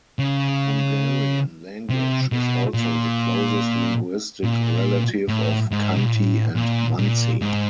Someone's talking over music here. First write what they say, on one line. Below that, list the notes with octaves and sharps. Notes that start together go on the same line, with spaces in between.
The Hungarian language is also the closest linguistic relative of Khanty and Mansi.
C#3
C3
B2
A#2
A#2
A2
G#2
B2
A#2
A2
A#2
A#2
G#2